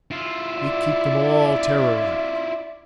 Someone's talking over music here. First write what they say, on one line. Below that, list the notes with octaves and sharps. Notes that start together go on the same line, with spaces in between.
We keep them all terrorized.
E4 F4
D5 E5